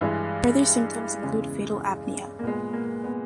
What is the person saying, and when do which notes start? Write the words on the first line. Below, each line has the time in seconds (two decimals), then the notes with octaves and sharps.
Further symptoms include fatal apnea.
0.01 G2 E3 G#3 E4
1.22 E2 C#3 G#3
2.39 A#3
2.43 A#2 G#3 B3
2.73 A#3
3.04 B3